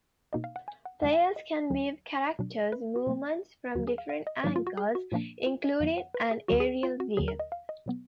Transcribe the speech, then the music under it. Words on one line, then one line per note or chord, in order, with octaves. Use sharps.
Players can view characters' movement from different angles, including an aerial view.
B2 A#3 D#4 D#5
F5
F#5
G#5
F#5
F2 D3 G#3 D4 F#5
G#5
D#5
D2 D3 F#3 D4
B2 F#3 D4
B4
F#4
B2 F#3 A#3
D#2 D3 F#3 F#4
G#4
F5
F5
D#5
G#2 D#3 F#3 A#3 D#4 D5
F4
F#4
G#4
F#4
A#2 F3 A#3 D4
F4
D#5
F2 D3 F3 B3 F5
F#5
B4
G#4
D2 D3 F#3 F#4
G#4
F4
F#4
D#2 D3 F#3 G#4
A#4
D#5
F5
D#5
B2 F#3 B3